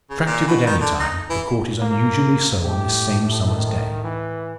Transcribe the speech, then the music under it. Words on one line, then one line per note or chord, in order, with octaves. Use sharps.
Attractive at any time, the Court is unusually so on this same summer's day.
C#3
A#2
B2
D#3
D3
D#4
E3
A#3
A2 G4
D#3
E3